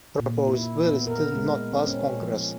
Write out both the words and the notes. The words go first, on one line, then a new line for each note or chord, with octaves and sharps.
Proposed bills did not pass Congress.
A#2
E4
B3
A#4
G#3
C4
C#4
F3